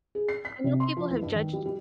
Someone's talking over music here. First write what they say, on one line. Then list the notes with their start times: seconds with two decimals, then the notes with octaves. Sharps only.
I know people have judged
0.15 G#4
0.29 C7
0.45 B6
0.64 C3
0.80 C6
0.97 F3
1.11 E2
1.22 G2
1.35 D#3
1.53 G3
1.66 G3